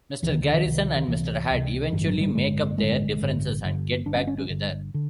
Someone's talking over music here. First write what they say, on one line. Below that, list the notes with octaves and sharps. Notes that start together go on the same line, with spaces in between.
Mr. Garrison and Mr. Hat eventually make up their differences and get back together.
C#2 C3 E3
D#3
D3
D#3
C#2 C3
D#3
C#2 C3 E3
C#2 C3
A1 G2 D3 E3
F#3
G3
A1 G2 D3 G#3
A1 G2 D3 G#3
A1 G2 D3
G1 G2 D3
G1 G2 D3 D4
C#4
C#4
C#4
G1 G2 D3
D3